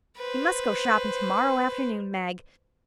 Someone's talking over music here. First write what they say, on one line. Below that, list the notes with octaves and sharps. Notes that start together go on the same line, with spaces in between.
We must go shopping tomorrow afternoon, Meg.
B4 C5